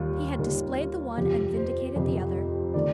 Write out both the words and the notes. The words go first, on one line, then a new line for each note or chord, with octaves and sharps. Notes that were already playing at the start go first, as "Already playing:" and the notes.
He had displayed the one, and vindicated the other.
Already playing: D#2 D#3 G3 F4
D#2 D#3 G3
F2 C3 F3 G4
C5
F2 C3 F3
D#3 A3 D5